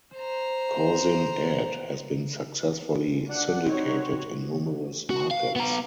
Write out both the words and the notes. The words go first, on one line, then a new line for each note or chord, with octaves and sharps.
Couzin Ed has been successfully syndicated in numerous markets.
C5 A#5
D4 F#5
C4 D#4 F#4 C#5
F#4
F5
B3 A#5